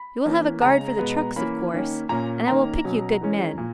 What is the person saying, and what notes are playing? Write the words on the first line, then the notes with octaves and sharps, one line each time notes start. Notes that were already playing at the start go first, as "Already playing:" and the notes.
'You will have a guard for the trucks, of course, and I will pick you good men.
Already playing: B5
E3 A#3 C#4
C#3 G#3 C#4 A#5
B2 G#3 B3
E3 A#3 C#4 B5
D#3 A#3 C#4
A#2 A#3 C#4 A#5
D#3 A#3 C#4 A#5
B2 F#3 C#4
E3 G#3 C#4
A#2